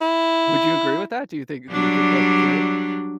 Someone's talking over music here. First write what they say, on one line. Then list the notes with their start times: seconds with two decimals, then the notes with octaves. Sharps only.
Would you agree with that? Do you think do you think that's true?
0.01 E4
1.71 F#3 G3 D4